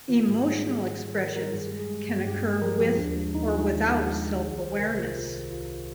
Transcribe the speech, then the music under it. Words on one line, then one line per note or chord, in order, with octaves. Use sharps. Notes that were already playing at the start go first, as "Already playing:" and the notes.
Emotional expressions can occur with or without self-awareness.
D#3 F4
G#2
G4
G3 G#4
G#4
D#3
G#4
G3
D#3
D#3 A#4
G3 A#4
G2 G#4
G#3 G4
G#4
G#3
G2
G2 G4
G#3
F3 A#4
G#4
F3 G4
F4
D#2 D4
G#3
D#2 D#4
F4
G#3
D#4
D#3
D#2
G#3 G4
D#3
C2 G#4
D#3 C5
C3 A#4
G#4
C2
F4
D#3 G4
C2
C2 F4